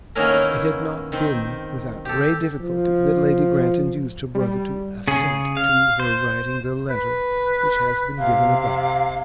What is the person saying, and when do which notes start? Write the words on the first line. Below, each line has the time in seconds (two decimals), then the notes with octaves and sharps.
It had not been without great difficulty that Lady Grant induced her brother to assent to her writing the letter which has been given above.
0.15 D#3 A#3 B3 C#4 E4 A#4
1.12 D#3 C4
2.05 G4 A4
2.60 F3
4.35 G3
5.08 C#3 G#4
5.57 F5
6.00 C5
6.90 B4
8.18 C3 F5